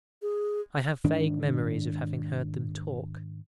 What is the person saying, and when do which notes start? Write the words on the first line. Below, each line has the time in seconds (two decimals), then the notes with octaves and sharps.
I have vague memories of having heard them talk.
0.22 G#4
1.04 G#2 D#3 D4